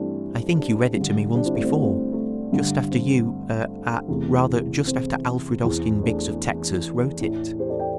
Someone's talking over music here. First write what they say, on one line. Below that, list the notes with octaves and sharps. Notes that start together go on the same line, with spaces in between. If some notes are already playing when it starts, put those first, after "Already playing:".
"I think you read it to me once before, just after you--er--ah--rather just after Alfred Austin Biggs, of Texas--wrote it."
Already playing: G2 E3 A3 C4 D4 E4 G4 A4
D4 G4
G2 D3
D4 G4
C4 E4
A3 D4
C4
A3
C4
A3
G2 D3
C4
E2 C3 E3 A3
C4
E2 E3
A3 D4
A2 E3
G4 C5
A4 D5
D5 G5